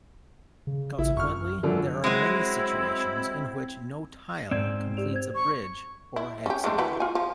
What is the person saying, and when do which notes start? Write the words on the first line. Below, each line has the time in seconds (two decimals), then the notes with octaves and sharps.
Consequently, there are many situations in which no tile completes a bridge or hexagon.
0.67 C#3
0.98 A1 E4
1.17 F#2 C#6 F6
1.63 F#2 D3 F3
2.04 F#3 G#3 C4 E4
4.51 G#2 C4 D5 G#6
4.97 G4 D5 F7
5.13 C5 G#6
5.35 C#6
6.16 E4
6.46 C#4 G4
6.64 G#3 A3 D4
6.78 E3 F#3 B4
7.00 F4 G#5
7.15 F3